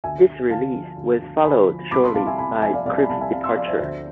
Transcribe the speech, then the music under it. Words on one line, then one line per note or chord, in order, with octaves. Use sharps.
This release was followed shortly by Crypt's departure.
D2 E5 G#5
D2
D3 F5 A5
F3
D2
D2
D3 G#5 B5
F3
C2 B5 D6
A5 C6
C2 F5 A5
E5 G#5
C3 G#5 B5
F3 E5 G#5
D5 F5
C2 D5 F5
E5 G#5
B5
C2 F5 A5
E5 G#5
C3 F5 A5
C6 E6
F3 D5 F5
C5 E5
D2 C5 E5